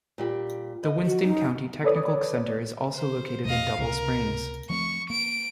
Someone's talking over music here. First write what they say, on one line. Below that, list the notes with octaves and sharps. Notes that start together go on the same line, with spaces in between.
The Winston County Technical Center is also located in Double Springs.
A#2 G3 G4
B4 D#5
F#4
F#2 D#4
A4 B4 C#5 D5 D#6
C5
E2 B2 A3 D#5 F5
C#2 C3 A#4
F3 A3 C4 C#6
A#3 D7